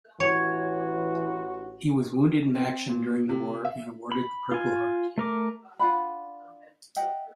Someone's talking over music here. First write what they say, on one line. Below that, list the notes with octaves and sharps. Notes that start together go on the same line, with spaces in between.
He was wounded in action during the war and awarded the Purple Heart.
A1 E3 F#4 C#5
C4
A#2
C3
E5
B5
F4 G#5
A3 A#4 D6
D4 F4 F#5 B5
D#5 E5 F#5 G5